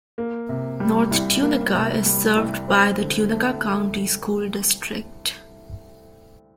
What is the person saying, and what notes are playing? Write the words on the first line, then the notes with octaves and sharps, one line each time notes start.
North Tunica is served by the Tunica County School District.
A#3
C3
G3
C2
A#3
C3
G3
C2
C4
D3
A3